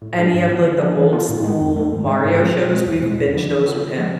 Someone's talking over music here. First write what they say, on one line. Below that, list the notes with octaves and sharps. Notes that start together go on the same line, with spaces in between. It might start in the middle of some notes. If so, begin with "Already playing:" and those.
any of, like, the old school Mario shows, we've binged those with him.
A2
G#3 D4 G#4
G#2
E3 B3
D3
F3 B3 D4 G#4
E3
B3 F4 A4
A2
G#3 B3
F2
E3 A3
G#2
G#3 C4
G#2
F3 G#3 C4 G#4
B2
G#3 C4
E2
B2 G#3
F2
D3 F3 B3 D4
E3
B3 F4 A4
A2
F3 G#3 B3